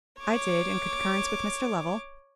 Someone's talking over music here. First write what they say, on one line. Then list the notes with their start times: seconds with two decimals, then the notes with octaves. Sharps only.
"I did, in concurrence with Mr. Lovell."
0.20 C#5 D6